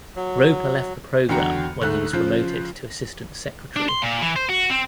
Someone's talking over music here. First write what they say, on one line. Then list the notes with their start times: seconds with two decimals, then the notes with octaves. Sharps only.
Roper left the program when he was promoted to Assistant Secretary.
0.16 F#3
1.29 E2 D3 F#4 G5 A#5 C#7
1.82 D2 G#2 A3 F#6
2.13 C#3 F3 F4
3.76 D4
3.89 C6
4.02 A#2
4.22 E3
4.36 C5
4.49 F#4
4.70 C4